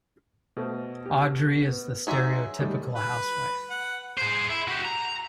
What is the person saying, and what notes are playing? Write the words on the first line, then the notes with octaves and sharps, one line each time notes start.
Audrey is the stereotypical housewife.
B2 A3 A4 C5
G4
B3
F#3 D#4 F#4 G#4 E5 C6 D6
D#3 G3 A3 D#5
B4
F#5
G#4 C5
E4
F#4 G4
A#5